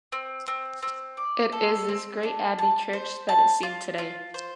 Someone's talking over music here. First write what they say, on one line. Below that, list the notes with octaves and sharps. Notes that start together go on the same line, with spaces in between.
It is this great abbey church that is seen today.
C4
C4
C4
D5
A4
C4
D4
A5
C5
A5
F4
F4
C5